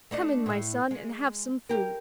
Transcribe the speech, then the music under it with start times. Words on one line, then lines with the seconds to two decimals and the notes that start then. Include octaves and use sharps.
'Come in, my son, and have some food.
0.11 A3 D4 D#5
0.46 A2 E5
0.91 G#3
1.69 G4 A#4